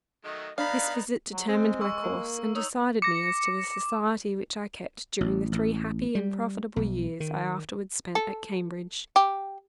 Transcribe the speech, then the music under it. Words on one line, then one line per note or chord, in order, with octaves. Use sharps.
This visit determined my course, and decided me as to the society which I kept during the three happy and profitable years I afterwards spent at Cambridge.
D#3 F#3 A3 D#5
B3 D4 D#4 F5 A#5 B5
F#3
G#3 C4
C#6 E6
A#3
D#4 C#5 D#6 E6
D6 A#6 C#7
A1
A1
G3
B1
D#3
A4
G4